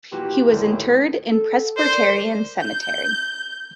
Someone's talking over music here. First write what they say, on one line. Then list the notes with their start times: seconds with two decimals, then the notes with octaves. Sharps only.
He was interred in Presbyterian Cemetery.
0.12 A#2 E3 F#4 G4
0.48 D2 A2 D#3
1.31 A4
1.77 A#4 C5 D5
2.60 G6